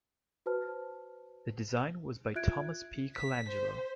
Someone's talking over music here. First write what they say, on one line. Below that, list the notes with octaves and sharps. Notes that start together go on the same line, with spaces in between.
The design was by Thomas P. Colangelo.
F#4 B4 C5 A5 F6
F4 E5 F#6 G#6 D7
B6
C5